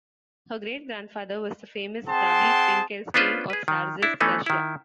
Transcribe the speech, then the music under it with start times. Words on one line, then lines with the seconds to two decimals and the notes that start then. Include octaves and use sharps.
Her great-grandfather was the famous Rabbi Finkelstein of Czarist Russia.
2.08 C4 G#4 F#5 G5 A5 C6
3.14 B3 C#4 D4 F4 B4 C5
3.50 G#4 B4
3.68 D#3
4.02 D4 E4
4.20 E3 A3 B3 C#4 D#4
4.46 D#3 E4